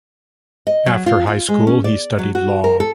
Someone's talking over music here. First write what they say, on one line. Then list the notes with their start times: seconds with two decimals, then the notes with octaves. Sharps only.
After high school he studied law.
0.67 D#5
0.86 F#3
1.06 F4
1.27 F4
1.48 G#3
1.67 C#4
1.84 D5
2.19 F#3
2.35 F#4
2.64 A#4
2.80 A4